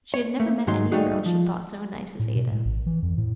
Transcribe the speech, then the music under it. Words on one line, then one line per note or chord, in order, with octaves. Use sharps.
She had never met any girl she thought so nice as Ada.
C#5
A3 A#3
G#2 D#3 F#3 D#4 C6
G3 A3 A#3 D#4 F#4 G#4
F3
A2
B2
A2
A1
E3
F2
A2